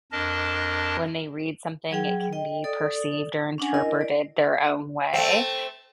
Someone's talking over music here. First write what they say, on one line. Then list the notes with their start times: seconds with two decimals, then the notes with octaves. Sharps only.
when they read something it can be perceived or interpreted their own way.
0.12 F2 D4 A#4 D#5 A5
1.91 F#3 G#4 G5
2.33 D#5 G5
2.64 A4 D5 D#6
3.58 C#4 D4 F#5 G#5
3.74 E4 A#4 D#5
4.01 D5
5.14 A3 C4